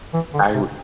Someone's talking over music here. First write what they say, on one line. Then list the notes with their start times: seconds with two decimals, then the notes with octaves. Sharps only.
I would
0.14 E3
0.34 D3
0.54 C3